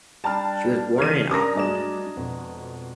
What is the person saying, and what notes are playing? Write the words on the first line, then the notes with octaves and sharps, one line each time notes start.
She was born in Auckland.
G3 D4 A5 A#5 F6
C#3 E3 F6 G#6 D#7
C#4 D4 G4 A#4 A5 A#5 D#6 A#6
G2 F#3 G#3 A3 D5 E7
F2 B2